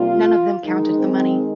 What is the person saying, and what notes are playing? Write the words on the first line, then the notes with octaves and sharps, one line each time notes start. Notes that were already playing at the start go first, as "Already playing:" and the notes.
None of them counted the money.
Already playing: C3 G3 A#3 F4
D#3 G#3 D#4
C4